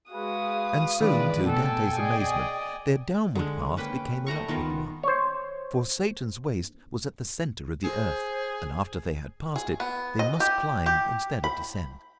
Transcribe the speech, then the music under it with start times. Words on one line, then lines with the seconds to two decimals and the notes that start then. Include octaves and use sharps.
And soon, to Dante's amazement, their downward path became an upward one, for Satan's waist was at the center of the earth and after they had passed it they must climb instead of descend.
0.12 G#3 F#4 G#4 B4 F5 D#6
1.00 D#3 E3 G#3 D4 B4 D5
1.45 B2 A3 A4 G5 G#5
1.97 G#4 D5 D#5
3.35 D3 G#3
3.77 A#3 C#4 B4 G5
4.27 G3 A3 A#5 C#6
4.48 D#3 B3 F4 A#4
5.03 C5 C#5
7.84 G#4 C5
9.56 G#4
9.80 B3
10.19 D#5
10.40 G4
10.86 G4
11.44 B5